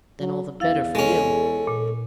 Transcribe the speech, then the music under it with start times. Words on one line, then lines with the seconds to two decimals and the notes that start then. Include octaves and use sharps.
Then all the better for you.
0.20 F#3
0.60 E2 E4 F5 A6
0.95 G#3 C#4 A4
1.67 A#2